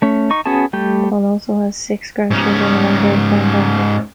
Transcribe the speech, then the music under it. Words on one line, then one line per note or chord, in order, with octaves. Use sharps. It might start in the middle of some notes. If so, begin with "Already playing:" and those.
Dawn also has six grandchildren and one great-granddaughter.
A3 C#4
D#4 C#6
B3 C#4 F#4 G#4 A5
G3 A3 G4
G#2 C#4